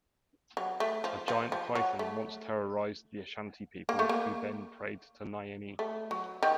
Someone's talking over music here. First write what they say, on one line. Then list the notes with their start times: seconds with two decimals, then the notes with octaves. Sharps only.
A giant python once terrorised the Ashanti people, who then prayed to Nyame.
0.57 F#3
0.80 A3
1.04 F3
1.28 F3
1.52 F3
1.75 F#3
1.99 A3
3.89 A#3
3.99 A3
4.09 A#3
5.79 A3
6.11 F#3
6.43 D#3